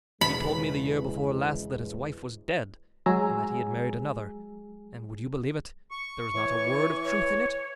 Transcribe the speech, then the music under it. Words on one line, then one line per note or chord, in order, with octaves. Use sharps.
He told me the year before last that his wife was dead and that he had married another, and would you believe it, there was not a word of truth in it?
E1 C#3 E3 G#3 B5
F#3 G#3 G#4 G#5 A#5 E6
C#6
E3 C#5
C#5